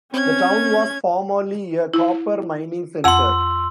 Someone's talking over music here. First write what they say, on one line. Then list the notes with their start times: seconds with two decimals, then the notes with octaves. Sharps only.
The town was formerly a copper-mining center.
0.14 C4 C#4 G#6
1.94 E4
3.04 F2 F#5 C6 E6